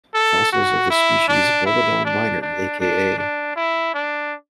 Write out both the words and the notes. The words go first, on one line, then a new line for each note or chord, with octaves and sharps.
Fossils of the species "Bolodon minor", aka.
A4
F#4
E4
D4
E4
D4
D4
D4
D4
E4
D4